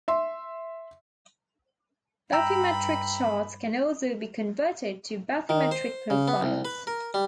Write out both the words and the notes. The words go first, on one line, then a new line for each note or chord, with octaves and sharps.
Bathymetric charts can also be converted to bathymetric profiles.
E5 C6
G2 G5 A#5 B5 E6
D#3
C5
C#3
B3
C2
B4
A#4
G3